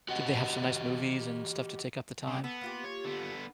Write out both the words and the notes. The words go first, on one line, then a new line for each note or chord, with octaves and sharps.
Did they have some nice movies and stuff to take up the time?
F#4 G4 D#5 F#5
C#3 G4
B3 A4
A#3 F4 G4
C#5
D3 B3